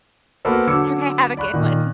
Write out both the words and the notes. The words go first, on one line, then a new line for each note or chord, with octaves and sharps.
Okay, have a good one.
A#3 B3 F#4 A4 C5
D3 F#3 D6 E6 G#6 C#7
D5 B5 C#6 F#6
A#2 D#3